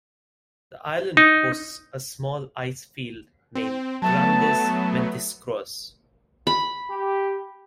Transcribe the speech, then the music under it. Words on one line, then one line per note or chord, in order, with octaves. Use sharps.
The island hosts a small ice field named Grandes Ventisqueros.
D#4
C4
F#3 A3 B3 A5
B5
G4